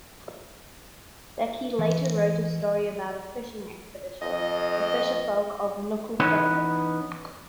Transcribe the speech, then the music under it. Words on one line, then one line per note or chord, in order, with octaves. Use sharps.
Becke later wrote a story about a fishing expedition: "The Fisher Folk Of Nukufetau".
E3
F2 D#5
E3 B3 C#4 D#4 B4